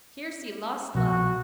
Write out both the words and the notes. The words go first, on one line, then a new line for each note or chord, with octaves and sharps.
Here see lost love.
C2 B2 F3 F#4